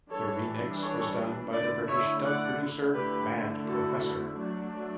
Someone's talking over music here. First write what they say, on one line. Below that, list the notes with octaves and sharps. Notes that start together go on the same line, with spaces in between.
The remix was done by the British dub producer Mad Professor.
E3 G3 D4 A4 C#5
A4 C#5
D3 A3 E4 B4 D5
C#5 E5
D5 F#5
D3 A3 E4 G4 B4
F#4 A4
F#3 A3 D4